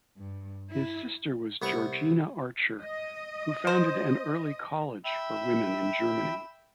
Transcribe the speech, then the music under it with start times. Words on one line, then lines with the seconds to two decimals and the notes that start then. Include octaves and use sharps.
His sister was Georgina Archer who founded an early college for women in Germany.
0.17 G2
0.70 E4
1.62 C2 B3 C#6
2.82 D#5
3.67 C5
5.04 E5 G5 B5 E6